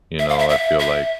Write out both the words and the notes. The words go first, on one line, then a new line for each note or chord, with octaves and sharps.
you know, I feel like,
E5
F5
E5
E5
E5